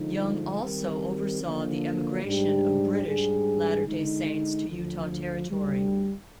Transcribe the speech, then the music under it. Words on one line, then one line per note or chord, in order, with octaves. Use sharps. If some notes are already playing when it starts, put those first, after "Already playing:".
Young also oversaw the emigration of British Latter-day Saints to Utah Territory.
Already playing: D3 F3 G#3 D#4
D#3 G3 C4 G4 A#4
D3 F3 A#3 D4
G#2 G3 D4 G4
G#2 G3 D4 G#4
D3 G#3 D#4
D2 D3 F3
D2 D3 G3